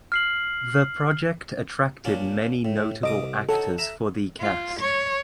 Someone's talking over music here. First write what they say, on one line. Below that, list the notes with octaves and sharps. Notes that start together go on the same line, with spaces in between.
The project attracted many notable actors for the cast.
F6 C7 F#7
A#2 C#4 D4
A2
C2 D#5 D6 D#6
D#4 F#4 A4 C#5
E5 A#5
F4
C#5